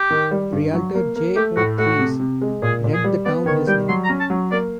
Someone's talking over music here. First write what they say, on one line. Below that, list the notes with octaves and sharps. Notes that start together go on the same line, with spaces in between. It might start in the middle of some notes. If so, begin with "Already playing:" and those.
Realtor J. O. Treece lent the town his name.
Already playing: G4
D#3
G3
G2
F#3
A#3
A#3
A3 G4
A2 F#4
A3 F#4
C3
C3
G#3
A#2 G#4
A#2
G#4
G3
B3 D5
D#3 C#5
G3 G5
F#3 C6
A#5
C#4
A5
F#3
A#3 D5